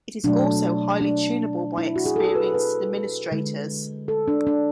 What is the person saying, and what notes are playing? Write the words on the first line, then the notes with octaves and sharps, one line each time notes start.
It is also highly tunable by experienced administrators.
B2 F#3 A3 D4
D4
E4
F#4
G#4
A4
B4
B4
D3 G#3
A4
D4
D4